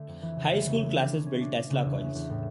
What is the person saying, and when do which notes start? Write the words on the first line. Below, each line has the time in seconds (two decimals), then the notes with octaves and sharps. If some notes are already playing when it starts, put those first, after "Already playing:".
High school classes built Tesla coils.
Already playing: D3 A3
0.08 F2
0.22 E3
0.37 C#3
0.52 A3
0.67 C#3
0.82 E3
0.97 D4
1.12 C#4
1.26 C#4
1.41 D4
1.56 D4
1.70 C#3
1.85 E2
2.00 C#3
2.15 E2
2.30 A2